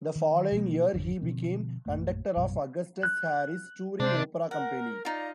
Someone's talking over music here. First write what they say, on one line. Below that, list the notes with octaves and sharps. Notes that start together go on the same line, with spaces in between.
The following year he became conductor of Augustus Harris's touring opera company.
D#3
B2 F3 F#3 A#3
G#1 F2 D3
B2 D3 F3 C4
A#1 F#2 A3 A#3
A#1 F#2 B2 G3
F#6
C3 D4 C5
A#4 F#5
D#4 F4 D5 F5 A#5